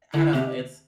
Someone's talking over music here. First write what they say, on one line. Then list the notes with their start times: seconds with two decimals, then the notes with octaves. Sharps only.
I don't know. It's
0.13 D3 E4
0.33 C3 G4